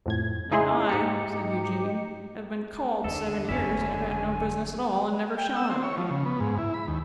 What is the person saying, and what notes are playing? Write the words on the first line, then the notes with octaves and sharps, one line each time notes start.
'And I,' said Eugene, 'have been "called" seven years, and have had no business at all, and never shall have any.
F2 A2 G#6
C#3 D#4 E4 G#4 G#5 C6
G#2 D#4 G4 A#5 C#7
E2 D3 D#3 A4
G1 F2 C#4 E4 E5 G#5
G5
E6
C4
C#5
F3
C#3
B3
G#2
E4
B5
D#2